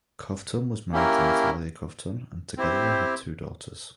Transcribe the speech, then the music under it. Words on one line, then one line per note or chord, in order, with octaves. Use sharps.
Kovtun was married to Natalia Kovtun and together they had two daughters.
A#3 C#4 E4 G4 A#4
C4 E4 G4 C5